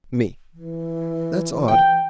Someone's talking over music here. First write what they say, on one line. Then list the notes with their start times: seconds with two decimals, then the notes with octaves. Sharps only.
ME: That's odd.
0.54 E3
1.68 G5